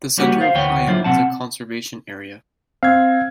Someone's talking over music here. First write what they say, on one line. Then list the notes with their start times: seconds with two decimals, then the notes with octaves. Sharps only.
The centre of Higham is a conservation area.
0.18 G3 A#3 B3 C#4 F#4 G4
0.41 C5 F5
0.54 D2 E3 B3 C#5 G5
0.88 F#3 D4 E4 F4 C5
1.04 C3 F3 C4 F#5 A5
2.83 C4 F5 G#6